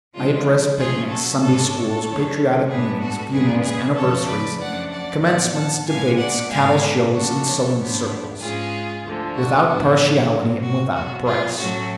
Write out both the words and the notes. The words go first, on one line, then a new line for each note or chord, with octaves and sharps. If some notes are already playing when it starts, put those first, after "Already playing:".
I addressed picnics, Sunday-schools, patriotic meetings, funerals, anniversaries, commencements, debates, cattle-shows, and sewing-circles without partiality and without price.
C#3 F3 G#3 D4 F4
B2 F#3 A3 C#4 F4 G#4
F#4 A4
G#2 G#3 D4 A4 C#5
A4 C#5
F#2 D3 F#3 A3 C#4
A2 G#3 B3 D4 G#4 B4
F#4 A4
F#2 C#3 G#3 B3 G#4 B4
G#4 B4
F2 C#3 F3 A3 A4 C#5
B4 D5
F#2 F3 A3 D4 D5 F#5
D5 F#5
A2 F3 B3 D5 F#5
F#5 A5
A2 G#3 B3 D4 F5 G#5
D5 F#5
G#2 G#3 B3 D4 F5 G#5
C#3 F3 A3 D4 F#4 A4
A4 C#5
G#2 F3 B3 D4
G#2 G#3 C#4 F4 G#4
D2 D3 F3
F#4
A2 F3 B3 D4 F#4
G#2 F#3 C#4
F#4
B2 F#3 B3 F#4
F4 G#4
A2 F#3 A3 C#4 F#4